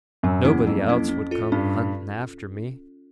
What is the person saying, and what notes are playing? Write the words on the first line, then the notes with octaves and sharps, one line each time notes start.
Nobody else would come a-hunting after me.
F#2 F#3
E2 A#3 C#4 E4
F2 F#3
A#3 C#4 E4
C#4
F4 A4
G2 C#4